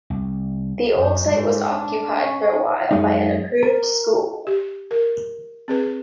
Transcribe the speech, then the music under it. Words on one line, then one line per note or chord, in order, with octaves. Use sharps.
The old site was occupied for a while by an approved school.
C2
F#2
G#2
D4
C#4
F#2 G#3 D#4
A#4
G4
A#4
C4 G#4 B4